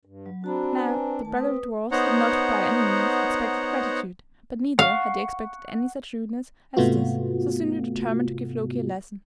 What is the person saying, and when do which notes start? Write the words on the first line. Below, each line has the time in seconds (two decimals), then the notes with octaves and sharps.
Now the brother dwarfs had not by any means expected gratitude, but neither had they expected any such rudeness as this, so Sindri determined to give Loki a lesson.
0.05 G2
0.26 F#3
0.44 C4 D4 F#4 A#5 B5
0.77 B4 G#5 A#5
1.22 D#3 A3 A5
1.37 C4 B4 D#6
1.92 B3 D#4 C5 C#5 F#5 A#5
4.79 F5 F#5 C#6
6.77 G#2 C3 A3 B3 F4 F#4